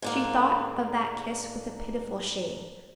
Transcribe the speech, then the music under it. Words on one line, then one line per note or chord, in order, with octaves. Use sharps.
She thought of that kiss with a pitiful shame.
G#2 D3 A#3